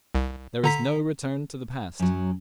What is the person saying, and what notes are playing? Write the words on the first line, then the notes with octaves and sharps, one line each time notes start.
There is no return to the past.
C2
D3 A#5 B6
F#2 F#3